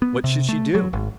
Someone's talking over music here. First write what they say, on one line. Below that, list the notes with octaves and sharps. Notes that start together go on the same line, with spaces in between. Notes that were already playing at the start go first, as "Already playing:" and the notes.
What should she do?
B3
C3
A3
F#3
G#1